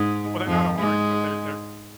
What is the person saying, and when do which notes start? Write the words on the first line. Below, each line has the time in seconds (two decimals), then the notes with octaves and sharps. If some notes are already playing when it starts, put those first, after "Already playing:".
Well, they're not orange, but their their
Already playing: G#2 G#3
0.47 F2 F3
0.79 G#2 G#3